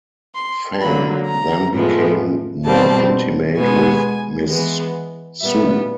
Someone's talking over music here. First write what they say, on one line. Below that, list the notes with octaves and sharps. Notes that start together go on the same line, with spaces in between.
Fang then became more intimate with Miss Su.
C6
D3 F#3 A#3 B5
A#5
A2 F3 G#3 B3
B2 G3 C4 A5
B2 G#3 B3 G#5
E3 G#3 B3
A#2 G3 B3 E5